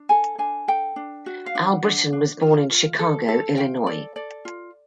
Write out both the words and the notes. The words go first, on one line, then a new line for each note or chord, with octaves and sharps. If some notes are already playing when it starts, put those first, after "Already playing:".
Albritton was born in Chicago, Illinois.
Already playing: D4
A4 G#5
D4 G#5
A4 G5
D4
F#4
F5
D4 F#5
D4
D4
F4
F4
A4
A4
F4 G5
A4 D5
A4 D5
F4